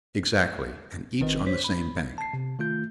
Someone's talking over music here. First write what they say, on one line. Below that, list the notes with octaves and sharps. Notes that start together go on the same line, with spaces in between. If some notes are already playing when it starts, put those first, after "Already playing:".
"Exactly, and each on the same bank."
G1 D#3 C4 B4 D#5
C5 C#5 B6
B5
A5 C7
C3
D#3 A3 F4 G6